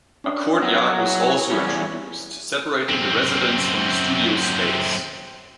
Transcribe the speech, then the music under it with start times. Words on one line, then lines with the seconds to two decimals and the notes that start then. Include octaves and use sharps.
A courtyard was also introduced, separating the residence from the studio space.
0.24 C#4 D4
0.62 F#3 B3 E5
0.99 E4 G#4 C#5
1.51 E2 G3 C#4
2.89 F#2 C4